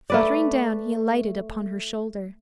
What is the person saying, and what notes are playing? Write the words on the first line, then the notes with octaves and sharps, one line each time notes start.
Fluttering down he alighted upon her shoulder.
A3 B4 D5